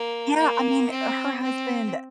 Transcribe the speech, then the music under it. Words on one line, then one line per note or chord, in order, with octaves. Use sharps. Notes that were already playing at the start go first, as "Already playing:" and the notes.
Yeah. I mean, her husband
Already playing: A#3
A#3
C4
C4